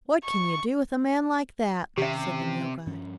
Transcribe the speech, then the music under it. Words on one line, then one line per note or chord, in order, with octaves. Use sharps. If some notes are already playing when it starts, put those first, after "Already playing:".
'What can you do with a man like that?' said the Nilghai.
C#6
C3 D#3 C#4 G4 E5
G2 F3 C#4